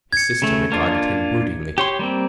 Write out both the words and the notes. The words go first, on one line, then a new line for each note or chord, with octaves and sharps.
His sister regarded him broodingly.
G#6 C#7
C#3 A3
A#3 D4 F4
G4 C#5 C6
G3 A#3 C4